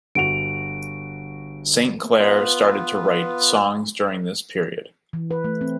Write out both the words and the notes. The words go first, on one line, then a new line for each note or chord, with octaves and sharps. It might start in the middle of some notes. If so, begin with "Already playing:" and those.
Saint Clair started to write songs during this period.
G1 F#4 D7 F7
B3 F4 B4
E3
B4
A3
C4